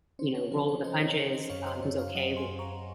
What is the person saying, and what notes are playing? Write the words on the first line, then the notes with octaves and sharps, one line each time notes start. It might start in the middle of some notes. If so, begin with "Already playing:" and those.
you know, roll with the punches, um, who's okay with,
C#4 C5
C#5
F3 C5
C#5
C#4 C5 D#5
D#5
C#5
C5
C#4 C#5
C5 D#5
F#2 C#5 F5
C5 D#5
F#2 C#5
C#5 F5
F#3 D#5 F#5
G#5 C6
F#2
A#5 C#6